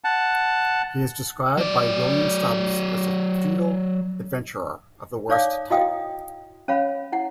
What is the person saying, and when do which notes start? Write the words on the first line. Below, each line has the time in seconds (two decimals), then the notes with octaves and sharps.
He is described by William Stubbs as "a feudal adventurer of the worst type".
0.04 F#5 A5
1.57 F#3 D5
5.29 D#4 C#5 D5 F5 D6 D#6
5.70 E4 F#4 D#5 F5 G5 D#6
6.68 C#4 C#5 F5 B5
7.12 E4 F#5